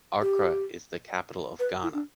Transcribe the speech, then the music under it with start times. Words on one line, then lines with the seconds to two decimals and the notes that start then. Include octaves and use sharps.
Accra is the capital of Ghana.
0.21 G4
1.59 B4
1.83 E4
1.94 D4